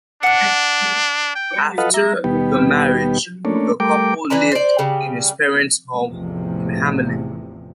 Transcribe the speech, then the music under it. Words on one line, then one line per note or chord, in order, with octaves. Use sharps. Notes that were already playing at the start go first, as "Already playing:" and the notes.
After the marriage, the couple lived in his parents' home in Hamelin.
D4 F#5 F#6
G5
F4 A4 B4 D#5 F5 F#5
E5 A#5
D#2 B2 G3 B3 G4
A3 A#3 C#4 D4
G3 A3 A#4 G5 D6
E3 B4 D5 A#5
C5 D5
C#3 G3
A1 E2 C3 F3